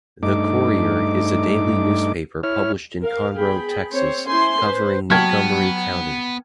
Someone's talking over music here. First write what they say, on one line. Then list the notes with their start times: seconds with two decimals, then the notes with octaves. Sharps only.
"The Courier" is a daily newspaper published in Conroe, Texas, covering Montgomery County.
0.23 G2 A3 D#4 D6
2.43 E4 C#5 F6
3.02 A#4 F5
3.36 B3 G#4 G5 B5
3.92 C4 C5 C#5
4.28 C#4 E4 C5 G#5 C6
4.61 B4 C5
5.10 F#3 B3 G5 A5 C#6 F6 G#6